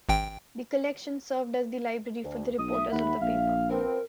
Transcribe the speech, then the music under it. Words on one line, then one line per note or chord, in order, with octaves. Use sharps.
The collection served as the library for the reporters of the paper.
G#1 G5
D2
B1 D#6
E5
D#2 F#5 B5
A#1 F5
F3 B3 C4 A#4